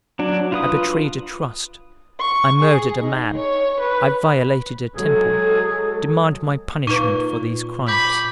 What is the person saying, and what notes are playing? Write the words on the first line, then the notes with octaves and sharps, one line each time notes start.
I betrayed a trust, I murdered a man, I violated a temple: demand my punishment for these crimes.
F#3 D4
F4 B4 D#6
C#6
G#4
D#4
C#5
B4
F#3 G#3 G#4 A4
A#2 D#4 B4 C#6
B5 D6 G6